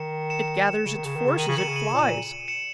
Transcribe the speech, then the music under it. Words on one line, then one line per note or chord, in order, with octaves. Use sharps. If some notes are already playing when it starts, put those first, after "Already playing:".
It gathers its forces, it flies!
Already playing: D#3 C#7 E7
C#7 E7
C#3
D#3
C#3
D#3
C#3
D#3 D#7 F#7
C#3 F#7
D#3 C#7 E7
C#3
D#7 F#7
A#2
C#7 E7